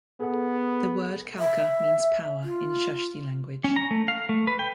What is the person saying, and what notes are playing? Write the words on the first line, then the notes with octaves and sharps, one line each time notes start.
The word Kalka means power in Shashthi language.
B3 G#4 A4 F#5
E5
F4
C#4
A#5
A3
F5
A3
B4
G5